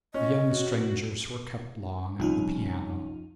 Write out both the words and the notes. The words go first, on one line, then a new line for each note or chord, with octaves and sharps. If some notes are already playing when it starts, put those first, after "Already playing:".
The young strangers were kept long at the piano.
C#4 D#5
F#4
C2 F3 C#4 D#4 F4